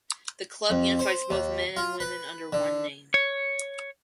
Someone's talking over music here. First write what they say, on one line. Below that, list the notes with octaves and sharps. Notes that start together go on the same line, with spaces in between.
The club unifies both men and women under one name.
F2
C5
D#2
F4
B4
D3
C#5